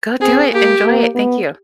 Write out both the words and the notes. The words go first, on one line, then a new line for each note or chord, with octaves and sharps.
Go do it, enjoy it, thank you.
C4 G#4
A#3 G4
A#3
B3